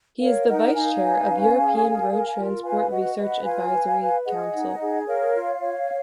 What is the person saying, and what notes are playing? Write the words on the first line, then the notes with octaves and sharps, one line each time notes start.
He is the Vice Chair of European Road Transport Research Advisory Council.
A#4 C#5 F5
D#4 D#5 F#5
D#4 F5 G#5
B4
C#4
G#4
A#4
A#4
F4
B4 F5 G#5
F#4 D#5 F#5
B4 D#5 F#5
F4 F5 G#5
B4
B4
G#4 D#5 F#5
D#4
G#4
A#4 C#5 F5
F4
C#5